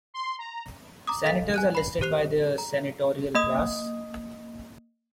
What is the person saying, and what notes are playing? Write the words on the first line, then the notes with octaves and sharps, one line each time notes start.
Senators are listed by their Senatorial Class.
C6
A#5
A#5 D6 D#6
A4 F5 A6 B6
G#5 F#6 D#7
B5 C7 F#7
G4 C5 F#6 C7 F7
A#5
A#3 D#5 D#6